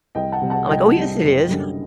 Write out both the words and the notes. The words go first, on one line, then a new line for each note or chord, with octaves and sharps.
I'm like, "Oh, yes, it is."
C2 D#5 G5
F#5 A5
C3 G3
F#5 A5
C2 D#5 G5
C3 G3
F#1
F#2 D3 G3